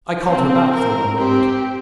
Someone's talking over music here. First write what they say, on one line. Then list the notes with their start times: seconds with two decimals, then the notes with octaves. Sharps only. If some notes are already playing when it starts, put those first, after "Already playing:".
I called her back for one moment.
0.30 C4
0.74 A#4
1.17 C4 G4